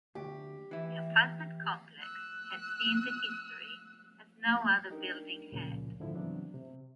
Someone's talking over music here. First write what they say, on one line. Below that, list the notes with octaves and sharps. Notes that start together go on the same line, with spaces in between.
The apartment complex had seen the history as no other building had.
D2 G4
E3 E4
E6 F#6
D4 D#4 G4 A#4
C#2 A#2 C#3 F3 C#4
G#2 D3 F3 E4 E5
C#3 E3 F#3 B3 C4 D4
C3